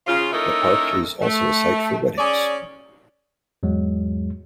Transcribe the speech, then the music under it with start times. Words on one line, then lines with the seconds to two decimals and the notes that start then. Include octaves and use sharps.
The park is also a site for weddings.
0.07 C#3 F4
0.32 A#3 C#4 D#4 E4 A4 A#4
1.22 A3
2.18 C#4 G#4 C#5 D5
3.63 E2 G#2 F#3 G#3